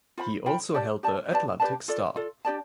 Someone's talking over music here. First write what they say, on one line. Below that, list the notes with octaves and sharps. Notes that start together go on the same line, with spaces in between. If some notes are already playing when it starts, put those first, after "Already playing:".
He also held the "Atlantic Star".
F4 C5 G5 B5
F4 C5 G5 B5
G4 D5 A5
G4 D5 A5
G4 B4 D5 A5
G4 B4 D5 A5
F4 A4 D5
F4 A4 D5
D4 G4 D5 A5